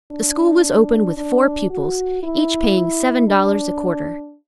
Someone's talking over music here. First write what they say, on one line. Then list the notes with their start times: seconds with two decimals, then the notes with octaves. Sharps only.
The school was opened with four pupils, each paying seven dollars a quarter.
0.11 D4
1.17 D4
1.70 F#4
2.23 E4
3.27 D4